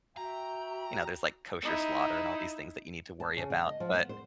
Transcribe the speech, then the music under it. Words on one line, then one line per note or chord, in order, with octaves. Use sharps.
you know, there's like kosher slaughter and all these things that you need to worry about. But,
F#4 E5 G5 A#5
D#4 E4
A5
C#3
D3
D#5
F3
B3
C5